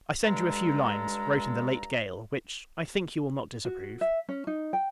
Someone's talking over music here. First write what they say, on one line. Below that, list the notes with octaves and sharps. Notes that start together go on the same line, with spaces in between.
I send you a few Lines, wrote in the late gale; which, I think, you will not disapprove.
G2 G#3 A4 A#5
F#4
E5
C#4
D#4
G5